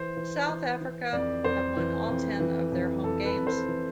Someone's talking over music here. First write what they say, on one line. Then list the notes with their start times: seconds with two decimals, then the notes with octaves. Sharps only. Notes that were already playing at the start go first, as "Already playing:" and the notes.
South Africa have won all ten of their home games.
Already playing: E3 C5
0.17 E3
0.49 E3
0.81 E3
1.13 F2 D5
1.44 F2 C5
1.77 E3
2.08 F2
2.40 E3
2.72 F2
3.03 F2 A4
3.25 B4
3.36 F2
3.47 C5
3.68 E3